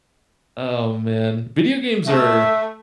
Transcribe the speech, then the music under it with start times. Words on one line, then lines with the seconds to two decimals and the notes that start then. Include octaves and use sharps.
Oh, man. Video games are
2.07 A3 E5